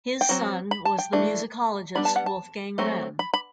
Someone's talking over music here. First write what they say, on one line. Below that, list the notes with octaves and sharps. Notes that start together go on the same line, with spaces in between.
His son was the musicologist Wolfgang Rehm.
G5
F#3 C4
B5
A5
G5
E3 A3 D4
G3 B3 D4 B5
A5
F#5
A5
F#3 A3 C4
B5
B5